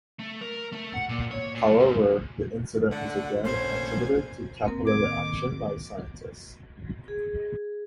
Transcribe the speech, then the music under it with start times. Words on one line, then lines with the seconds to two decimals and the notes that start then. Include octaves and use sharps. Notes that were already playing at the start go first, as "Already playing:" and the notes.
However, the incident was again attributed to capillary action by scientists.
0.19 A3
0.41 A#4
0.72 A3
0.94 F#5
1.09 A#2
1.31 C#5
1.55 A#2
1.78 G#2
2.91 D3 A3 F#5
3.44 A#1 A#2 A3 B3 C#4 C5 G#6
4.65 A#3 C4 A#4
4.85 A2 D6 G#6
5.06 D#3
7.08 G#4